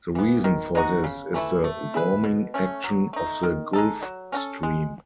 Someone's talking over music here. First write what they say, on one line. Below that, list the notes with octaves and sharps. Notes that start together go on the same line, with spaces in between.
The reason for this is the warming action of the Gulf Stream.
E3 B3
D#3
G#3 D#4 F#4
C#3
E3 A3 E4
A3
E4 G#4 B4
B2
A3 C#4
F#3
A3 D#4
D#3
G#3 D#4 A4
F#3
C#4 F#4 A4
G#3